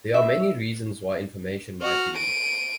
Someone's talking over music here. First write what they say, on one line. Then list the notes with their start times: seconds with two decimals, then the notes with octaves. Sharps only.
There are many reasons why information might be leaked.
0.14 E5
1.82 F#4 F6
2.17 D7 D#7